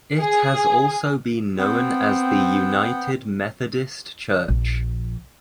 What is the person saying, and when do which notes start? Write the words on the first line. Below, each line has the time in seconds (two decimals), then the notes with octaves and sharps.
It has also been known as the United Methodist Church.
0.20 G#4
1.59 B3 C4 F#5 G5
4.48 A#1